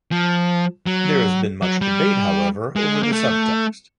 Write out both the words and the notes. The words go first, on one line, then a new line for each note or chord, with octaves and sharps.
There has been much debate, however, over the subtext.
F3
F#3
F#3
G3
G#3
A#3
A3